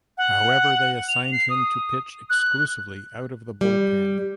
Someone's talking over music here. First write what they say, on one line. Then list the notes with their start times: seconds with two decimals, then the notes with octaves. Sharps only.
However, they assigned him to pitch exclusively out of the bullpen.
0.18 F#5
1.09 F7
1.32 C7
1.50 D#6
2.30 F#6
3.61 G3